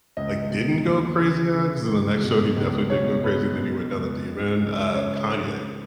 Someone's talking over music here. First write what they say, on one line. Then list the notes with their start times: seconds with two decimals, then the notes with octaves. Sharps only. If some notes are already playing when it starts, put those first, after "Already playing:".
like, didn't go crazy on, 'cause in the next show he definitely did go crazy, then he went down the deep end, uh, Kanye.
0.17 C#2 D#5
0.51 B2
0.86 D#2
1.19 C#3
1.53 C#3
1.87 C#2
2.22 B2
2.56 C#2
2.90 B2 C#5
3.24 B2 B4
3.58 B2
3.92 C#2
4.26 C#2
4.61 C#2
4.94 C#3 C#5